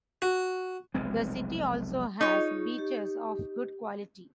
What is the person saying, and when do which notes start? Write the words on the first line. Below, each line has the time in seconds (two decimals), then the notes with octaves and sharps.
The city also has beaches of good quality.
0.22 F#4
0.94 F1 B1 G#3 C4
2.21 D#4 F4 G#4 C#5
2.78 G4